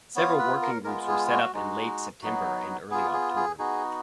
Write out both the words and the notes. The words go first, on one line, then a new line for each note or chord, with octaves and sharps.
Several working groups were set up in late September and early October.
B3 F4 C#5
B4
A#4
G#3 B3 F4 A#4
G#4
F#4
G#3 D#4 F#4
F#3 B3 D#4 F#4
B3 F4 G#4
G#4
G#4
B3 D#4 F#4 G#4